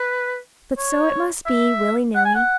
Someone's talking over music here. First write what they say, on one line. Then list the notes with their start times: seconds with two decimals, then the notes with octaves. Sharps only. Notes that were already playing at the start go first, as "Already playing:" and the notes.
But so it must be, willy-nilly.
Already playing: B4
0.78 C#5
1.46 E5
2.15 F#5
2.25 G#5
2.35 F#5